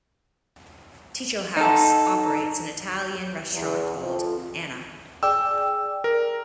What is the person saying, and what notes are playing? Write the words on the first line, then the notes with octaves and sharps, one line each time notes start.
Ticho House operates an Italian restaurant called Anna.
D#4 A4
E2
F2
G#4 D5 G5 E6
A#4